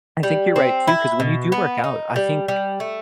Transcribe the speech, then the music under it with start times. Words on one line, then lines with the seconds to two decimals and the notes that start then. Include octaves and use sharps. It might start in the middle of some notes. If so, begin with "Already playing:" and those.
I think you're right too, cause when you do work out, I think,
0.23 G3
0.56 C4
0.88 E4
1.20 B2
1.52 B3
1.84 D#4
2.16 G3
2.48 G3
2.80 A3